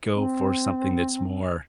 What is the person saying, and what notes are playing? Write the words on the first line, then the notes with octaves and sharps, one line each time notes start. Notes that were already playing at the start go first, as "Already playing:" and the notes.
go for something that's more
C4